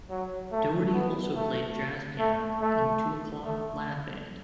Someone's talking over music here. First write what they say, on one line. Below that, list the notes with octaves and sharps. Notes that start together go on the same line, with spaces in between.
Daugherty also played jazz piano in the Two O'Clock Lab Band.
F#3
A3
B3
A3
A3
A3
A3